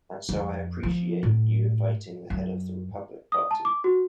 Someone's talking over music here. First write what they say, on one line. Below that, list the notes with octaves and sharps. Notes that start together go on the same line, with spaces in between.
And so I appreciate you inviting the head of the Republic Party.
F2
F3
A2
F#2
D#6
A5
D6
F#4